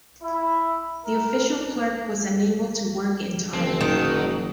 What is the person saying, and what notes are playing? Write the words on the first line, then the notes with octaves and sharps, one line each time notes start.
The official clerk was unable to work in time.
E4
A#4
F#1 C4
D#3 F#3